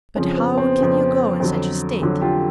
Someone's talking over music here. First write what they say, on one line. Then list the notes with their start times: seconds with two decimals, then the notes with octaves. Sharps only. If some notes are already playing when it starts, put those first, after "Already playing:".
But how can you go in such a state?
0.16 F2 C#3 F3 C4
0.38 B3
0.58 C4
0.78 F2 C#3 F3
1.40 F2 D3 F#3
2.02 F2 D3 F#3
2.21 F4 G4